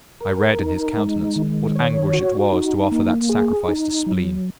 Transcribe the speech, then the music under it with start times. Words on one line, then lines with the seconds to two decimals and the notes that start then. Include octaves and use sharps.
I read in his countenance what anguish it was to offer that sacrifice to spleen.
0.21 A#4
0.59 D#4
0.97 G#3
1.36 D#3
1.76 C#5
2.13 F#4
2.52 D#4
2.92 A#3
3.29 G#4
3.68 D#4
4.06 F#3